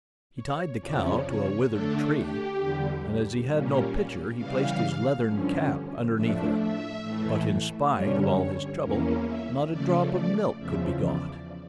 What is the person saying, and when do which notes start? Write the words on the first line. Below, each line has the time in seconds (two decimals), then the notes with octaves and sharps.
He tied the cow to a withered tree, and as he had no pitcher he placed his leathern cap underneath her; but in spite of all his trouble not a drop of milk could be got.
0.36 C#5
0.80 F2 C#3 F3 C#4 D5
1.25 C#5
1.69 D3 A3 D4 A4
2.14 G4
2.59 E2 D3 G3
3.47 A#2 G3 A#3 C#4
4.36 C#3 E3 G3 F5
5.25 G2 D3 F3 C#4
6.14 A2 F3 A3 D4 E5
6.59 E5
7.03 A2 E3 A3
7.92 G2 D3 G3 C#4 C#5
8.36 C#5
8.81 E2 E3 A#3 C#4 A#4
9.25 E5
9.70 C#3 F3 A3 D5
10.14 D5
10.59 E2 C#3 F3 E5
11.03 D5